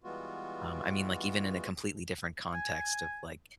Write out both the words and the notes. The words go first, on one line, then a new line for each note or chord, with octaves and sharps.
Um, I mean, like, even in a completely different context of, like
E3 G3 G#3 B3 F4 F#4
G#5